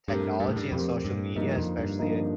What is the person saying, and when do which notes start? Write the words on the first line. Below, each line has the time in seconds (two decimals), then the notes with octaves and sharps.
technology and social media, especially, uh,
0.08 G2 A3 C4 G4 A#4
0.40 G2
0.49 A2
0.56 G2
0.72 F2 A3 C4 G4 A#4
1.05 G2
1.36 G2 D3 F3 A#3 D#4
1.57 F2
1.79 G2
1.99 D3 F3 A#3 D#4